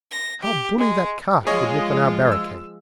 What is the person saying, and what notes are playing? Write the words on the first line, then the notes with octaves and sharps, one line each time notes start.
"How bully that cart would look on our barricade!"
A#6
G4
G#3
F3 G#3 F4 G#4 C#5 D#5
E6